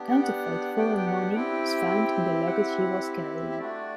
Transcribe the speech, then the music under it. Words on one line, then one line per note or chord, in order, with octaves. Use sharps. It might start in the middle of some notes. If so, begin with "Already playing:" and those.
Counterfeit foreign money was found in the luggage he was carrying.
Already playing: B3 D4 G4
F#5
G5
F#5
G5
G5
F#5
C4 E4 G4 G5
F#5
E5
E5
A3 D4 F#4 D5